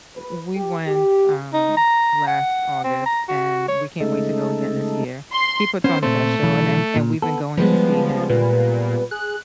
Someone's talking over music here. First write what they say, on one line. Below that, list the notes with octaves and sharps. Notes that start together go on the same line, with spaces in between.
We went, um, last August, and we can't wait to go again this year. He puts on the best show, and and and we've been going to see him,
B4
G4
G4
D#4
A#5
F#5
C4
A#5
F#4
C#5
C#3 G#3 A3 D#4 A4
C6
B3 C#4 C5
A#2 A3 C4 C5
B1 E3
A#2
B3 A4
F3 G3 G#3 B3 B4
A#2 B4
G#4 F#6